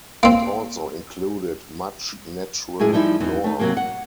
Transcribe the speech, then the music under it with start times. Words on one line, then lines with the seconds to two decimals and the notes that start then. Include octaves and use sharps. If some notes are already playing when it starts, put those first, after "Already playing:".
It also included much natural lore.
0.23 A#3 C4
2.80 A2 G#3 E4 G#4
2.93 F3 G3 D#4 E4
3.21 E2 D#4
3.44 A3 D#4
3.59 C3 F#3 A#3
3.77 F#5